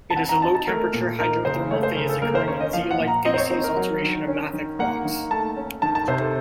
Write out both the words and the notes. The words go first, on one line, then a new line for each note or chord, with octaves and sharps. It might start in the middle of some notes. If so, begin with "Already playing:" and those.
It is a low-temperature hydrothermal phase occurring in zeolite facies alteration of mafic rocks.
A5
C4 F#5
A#5
D#4 A5
A5
A3 A#4
A#2
D#4 A#4
C#3 C5
A3 C#5
C5
C#3 A#4
A4
A#3 A#4
C5
C#4 C#5
D#5
F3 F5
F#5
A#2
A#5
C4 D#5
C5
C#5
D#4 C5
A#4
F#3
D#3
C#4
D#3
A#3 F#5
D#3
A3 A5
C#4
D#3 A5
A5
C3 C5
A4